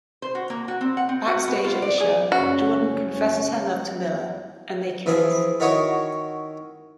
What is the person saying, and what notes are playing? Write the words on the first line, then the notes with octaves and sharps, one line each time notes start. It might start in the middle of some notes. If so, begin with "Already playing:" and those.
Backstage at the show, Jordan confesses her love to Miller and they kiss.
C5
F#4
A#3
F#4
C4
F#5
C4
F#4
B3
F4
D5
G#4
F#1 C#4 F#4
E3 F3 E4 G#4
D#3 E4 F#4 C#5 C#6 D#6